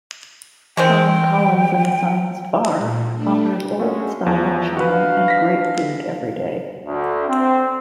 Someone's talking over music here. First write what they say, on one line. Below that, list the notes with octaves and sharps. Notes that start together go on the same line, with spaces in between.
Sean Collins and sons bar offers old style charm and great food every day.
D#3 E3 G#3 C4 G5
A#2
A3 D4
G#3 A3 C#4 F#4
E2 F3
E3 D4 F#4 B4 F5
A#6 B6
D2
C4